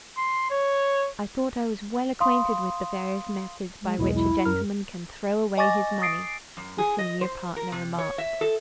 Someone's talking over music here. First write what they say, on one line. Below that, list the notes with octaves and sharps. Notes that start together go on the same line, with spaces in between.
"I thought I was well acquainted with the various methods by which a gentleman can throw away his money," the senior partner remarked.
C6
C#5
F5 B5 C6 D#6
G#3
B1 E2 G#3 E4
E4
F#2 A#4 F6
D#5 G#5 C#6 D6 A6 A#6
D#6 A6 C7 D7
F#2
G#4
D#5
C5
A#4
C3
C#5
E5
A4